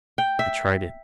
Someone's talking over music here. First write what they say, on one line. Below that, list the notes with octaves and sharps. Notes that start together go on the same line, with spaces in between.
I tried it.
G5
E5